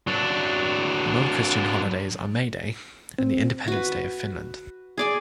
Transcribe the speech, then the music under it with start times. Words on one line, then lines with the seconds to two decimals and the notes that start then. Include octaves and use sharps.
The non-Christian holidays are May Day and the Independence Day of Finland.
0.07 F#3 D4
3.18 C4
3.68 F#4 B4
4.98 G#4 D5 G#5